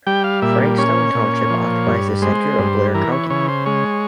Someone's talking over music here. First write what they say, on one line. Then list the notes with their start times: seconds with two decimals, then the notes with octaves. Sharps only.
Frankstown Township occupies the center of Blair County.
0.07 G3 G5
0.24 F5
0.42 A#2 E5
0.78 C#4 C#5
1.15 A#2
1.50 F3
1.87 G2
2.22 G#3 C5
2.58 G2
2.94 E3 A#4
3.12 C#5
3.30 C#3 C#5
3.48 C5
3.66 G#3 C#5